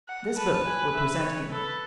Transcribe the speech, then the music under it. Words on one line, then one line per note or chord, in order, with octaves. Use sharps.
This book will present him.
F#5
B4 A5
G#5
E5
C#5
A4 B4